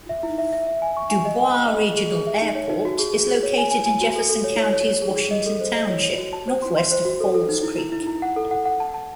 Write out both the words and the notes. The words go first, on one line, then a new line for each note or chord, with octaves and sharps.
DuBois Regional Airport is located in Jefferson County's Washington Township, northwest of Falls Creek.
E5
E4
E5
E5
E5
G#5
C#6
G#5
D#5
G#5
C6
D#5
G#4
G#4
G#4
E5
D#4
C#5
D#4
F#4
G#4
G#4
G#4
C#5
G#5
G#5
G#5
F#4
A4
A4
C#5
C#5
C#5
C#5
G#4
G#4
D#5
A4
C5
D#5
C#5
C#5
F#4
A5
C5
C6
C6
C5
F#4
A4
A4
D#4
E4
E4
E4
E4
F#5
A4
F#5
F#5
A5
A5